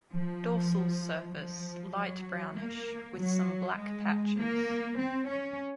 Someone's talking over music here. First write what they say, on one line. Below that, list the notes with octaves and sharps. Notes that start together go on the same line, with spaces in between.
Dorsal surface light brownish with some black patches.
F3
F3
F#3
A#3
F#3
G#3
A#3
C4
C#4